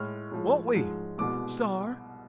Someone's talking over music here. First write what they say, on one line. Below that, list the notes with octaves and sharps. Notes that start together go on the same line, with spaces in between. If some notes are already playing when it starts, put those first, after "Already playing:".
Won't we--Star?
Already playing: A2 G#3 F6
A2 F3 G#3
G#2 F3 G#3
C2 B2 G#3 D6